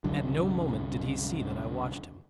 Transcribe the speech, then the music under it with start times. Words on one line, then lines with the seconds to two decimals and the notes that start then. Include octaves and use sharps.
At no moment did he see that I watched him.
0.04 C2 F#2 D3 F#3